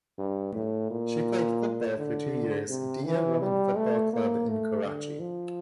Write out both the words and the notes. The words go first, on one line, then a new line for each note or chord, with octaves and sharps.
She played football for two years Diya Women Football Club in Karachi.
G2
A2
A#2
D3
C3
E3
G3
A3
A#3
A3
D3
F3